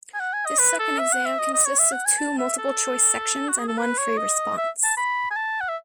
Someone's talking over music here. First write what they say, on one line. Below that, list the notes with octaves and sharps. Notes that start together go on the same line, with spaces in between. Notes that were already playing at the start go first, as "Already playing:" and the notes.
This second exam consists of two multiple-choice sections and one free response.
G#5
F#5
G#5
D#5
B4
A4
E5
F#5
E5
D#5
D#5
C#5
E5
F#5
G#5
A5
E5
A4
F#4
G#4
A4
B4
C#5
D#5
E5
A5
B5
G#5
A5
F#5
E5